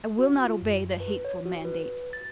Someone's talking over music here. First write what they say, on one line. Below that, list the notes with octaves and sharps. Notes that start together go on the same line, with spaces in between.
I will not obey the hateful mandate!
F#4
F4
F#2
B4
C#5
F#4
B4
A6